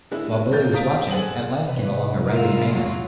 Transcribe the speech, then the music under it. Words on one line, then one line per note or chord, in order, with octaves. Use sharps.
While Billy was watching, at last came along a raggedy man.
D3 G#3 A3 E4
D#2 A#4 G6 A6
F5 A#5 D#6 B6 D7
G#4 A4 C5 F#5 G#5 F#7
C3 B4
G#3 E4 F4 A#4
F#3